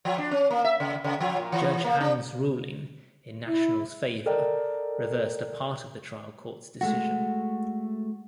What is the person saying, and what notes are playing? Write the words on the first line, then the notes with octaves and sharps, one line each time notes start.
Judge Hand's ruling in National's favor reversed a part of the trial court's decision.
F3
D4
C#4
A#3
E5
C#3
C#3
F3
A#2
E3
A#3
D4
E4
A4 A#4 D5 D#5 G5
G#3 A3 F#4